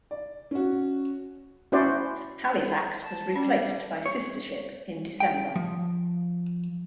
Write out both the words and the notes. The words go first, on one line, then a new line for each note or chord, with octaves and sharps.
"Halifax" was replaced by sister ship in December.
D5
C#4 F#4
C#4 E4 F#4 C5 D5
A5
G3 C#4
C#5
G5
F3